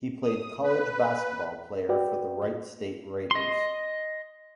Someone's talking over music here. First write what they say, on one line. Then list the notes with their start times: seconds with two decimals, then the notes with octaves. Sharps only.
He played college basketball player for the Wright State Raiders.
0.23 D#6
0.64 B4
1.89 F#4 B4 D5 G5
3.31 D#5 C6